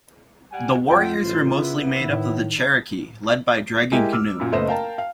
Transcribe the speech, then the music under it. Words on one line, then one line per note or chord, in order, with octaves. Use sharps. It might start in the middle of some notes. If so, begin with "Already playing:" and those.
The warriors were mostly made up of the Cherokee, led by Dragging Canoe.
G3 F#5 G#5
F2 F4 A4 F#5 G5
A1 C5
C#3 E3 B3 E4
A2 D#3
G#3 E4 G4 A#4
D6 E6 F6
F#2 A#2
F#1 A3 B3 C5 D#5 E7
A#4 F5 G5 A5 A#5
F5